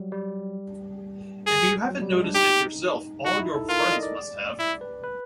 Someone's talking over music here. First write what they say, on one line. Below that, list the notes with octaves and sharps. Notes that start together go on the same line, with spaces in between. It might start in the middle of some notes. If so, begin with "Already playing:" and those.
If you haven't noticed it yourself all your friends must have.
Already playing: F#3 G3
G3
G#4
F#3
G3
G#3
D4
D#4 G4
D#4 F#4
E4
A4
F4 A#4
D5
D#5
D5
E4
B4
B4